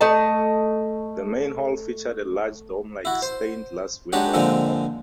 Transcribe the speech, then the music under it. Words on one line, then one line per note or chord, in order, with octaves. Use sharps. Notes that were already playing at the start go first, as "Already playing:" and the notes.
The main hall featured a large dome-like stained glass window at the top.
A3 D#5 A5
E4 F#4
C5
G#3 D4 D#4 F#4 G4 C#5
A#2 D3 F3 G#3 C4 D#4